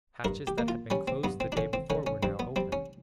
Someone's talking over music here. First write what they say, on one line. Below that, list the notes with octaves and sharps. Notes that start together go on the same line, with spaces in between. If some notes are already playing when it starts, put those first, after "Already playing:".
Hatches that had been closed the day before were now open.
G2 A#4
G4
A#3
F4
G3 C#4
C4
G2 B3
C4
D4
D3 C#4
C4
D3 C#4
C#4
G2 C4
B3
G3 C4
C#4